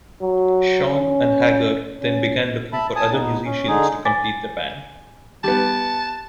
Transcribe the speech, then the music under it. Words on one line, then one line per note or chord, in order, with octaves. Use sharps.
Schon and Hagar then began looking for other musicians to complete the band.
F#3
C#4
C#4
E5 A5 B5
G#5 A5 D#6
B3 D#4
C#4
D3 D#4 G#4
G#5 D6 A6 B6
G3 B3 A5